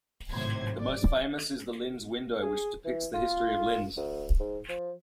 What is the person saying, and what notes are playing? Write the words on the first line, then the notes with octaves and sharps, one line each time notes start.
The most famous is the Linz Window, which depicts the history of Linz.
G#1 A2 C3 F#3 C5 G#6
D5
G#4
E3
F4
D2
G#2
F3